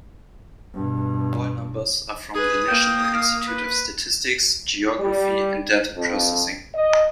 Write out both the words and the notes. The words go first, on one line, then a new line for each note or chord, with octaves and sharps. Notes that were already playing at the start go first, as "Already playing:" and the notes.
All numbers are from the National Institute of Statistics, Geography, and Data Processing.
G2 B2
G#4 B4 D#6
A#3 G5
F5
B4
G3
F2
D#5